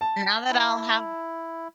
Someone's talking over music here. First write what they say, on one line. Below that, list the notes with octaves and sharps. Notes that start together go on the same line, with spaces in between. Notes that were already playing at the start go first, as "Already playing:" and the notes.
now that I'll have
A5
E4